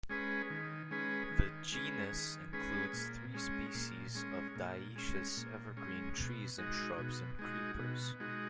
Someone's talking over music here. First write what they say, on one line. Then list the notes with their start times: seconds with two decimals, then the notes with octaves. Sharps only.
The genus includes three species of dioecious evergreen trees and shrubs, and creepers.
0.09 G#3 C#4 G#4 B4
0.50 D#3
0.91 G#3 C#4 G#4 B4
1.31 D#3
1.72 G#3 C#4 G#4 B4
2.12 D#3
2.53 G#3 C#4 G#4 B4
2.93 A#2
3.34 G#3 C#4
3.75 A#2
4.15 G#3 C#4
4.56 A#2
4.96 G#3 C#4
5.37 A#2
5.77 G#3 C#4
6.18 B2
6.58 G#3 D#4 F#4
6.98 B2
7.39 G#3 D#4 F#4
7.79 B2
8.20 G#3 D#4 F#4